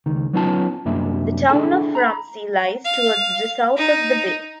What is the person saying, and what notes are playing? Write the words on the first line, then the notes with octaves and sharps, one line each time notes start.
The town of Ramsey lies towards the south of the bay.
C#2 D#3
F#3 B3 C#4 D#4 F4 A5
C2 F#2 A#3 D4 E5
D4 E4 G#4 A4 G5 A5
A#5 B5
F5
D#4